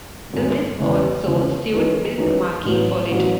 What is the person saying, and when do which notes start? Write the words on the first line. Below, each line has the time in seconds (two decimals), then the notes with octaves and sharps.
The Wiz also sued Biz Markie for it.
0.33 G#1 F#2 D#3 G#3
0.79 E2 C#3 G#3
1.25 E2 C#3 G#3
1.72 F#2 E3 G#3 B3 D#4
2.18 F#2 E3 G#3 B3 D#4
2.65 A1 A2 F#3 B3
3.12 A1 A2 F#3 B3